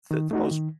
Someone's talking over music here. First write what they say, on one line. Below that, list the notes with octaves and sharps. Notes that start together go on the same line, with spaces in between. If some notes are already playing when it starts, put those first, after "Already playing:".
the the most
D#3
A3 D#4 F#4
D#3